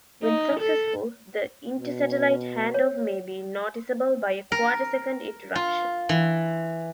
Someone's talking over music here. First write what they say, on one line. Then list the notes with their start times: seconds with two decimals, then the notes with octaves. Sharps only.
When successful, the inter-satellite handoff may be noticeable by a quarter-second interruption.
0.23 D#4
0.60 A4
1.77 B2
2.74 C#5
4.52 A#4
5.55 F4
6.09 E3